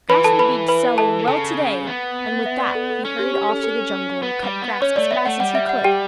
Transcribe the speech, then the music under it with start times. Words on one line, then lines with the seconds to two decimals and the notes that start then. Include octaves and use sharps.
Grass will be selling well to-day!' And with that he hurried off to the jungle and cut grass as fast as he could.
0.09 E3 B4 B5
0.24 A4 A5
0.39 B4 B5
0.68 B4 B5
0.98 A4 A5
1.28 C#3 A4 A5
1.87 B3
2.46 E5
2.60 D5
2.75 A4
2.90 A4
3.05 C#4
3.19 G4
3.34 G4
3.49 A4
3.64 A4
4.22 B3 B4
4.42 G3
4.62 B3
4.82 C#4 C#5
4.96 A3 D5
5.11 B3 E5
5.25 A3 F#5
5.40 G3 F#5
5.55 E5
5.69 F#5
5.84 G4 G5